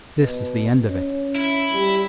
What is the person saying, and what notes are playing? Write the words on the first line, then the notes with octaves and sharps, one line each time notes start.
This is the end of it.
B2
C#4
E4
G3